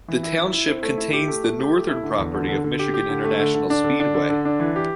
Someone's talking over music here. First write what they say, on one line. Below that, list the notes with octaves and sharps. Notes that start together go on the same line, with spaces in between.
The township contains the northern property of Michigan International Speedway.
E3
E4
E4
E4
C4
A3
E4
G4
A3
A3
G4
A3
E4
D3
E2
D3
D3
D3
G4
G4
D3
A3
D3
D3
D4
D3
D4
D3
D3
D4
E3
G4